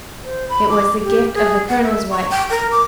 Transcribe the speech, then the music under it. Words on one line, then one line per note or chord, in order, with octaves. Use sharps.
It was the gift of the colonel's wife.
C5
B5
D6
G4
G#4
F#5
E5
C#6
G5
A#4
D6